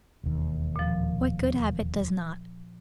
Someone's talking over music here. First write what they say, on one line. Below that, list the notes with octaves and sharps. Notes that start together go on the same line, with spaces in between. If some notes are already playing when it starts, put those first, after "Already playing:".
What good habit does not?
E1 D#2
A#2 F3